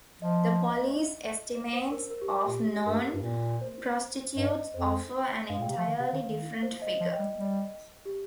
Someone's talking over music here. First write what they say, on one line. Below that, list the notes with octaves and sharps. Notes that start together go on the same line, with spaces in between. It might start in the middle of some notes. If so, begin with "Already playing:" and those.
The police estimates of known prostitutes offer an entirely different figure.
F3 D#5
C5
A#4
A#4
G4
A#2 G4
G2 A#4
G2
A#2
C5
G2 D#5
F2 C5
G2 F5
A#2
G5
C3
F3 F5
D#3
C3
D#3
D#3
C5
D#5
F3 D#5
G5
G3
G3
G4